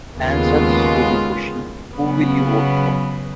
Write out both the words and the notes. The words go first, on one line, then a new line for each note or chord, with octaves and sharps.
Answers to the question, Who will you vote for?
D#2 C#3 G#3 B3 F4
C#3 F#3 B3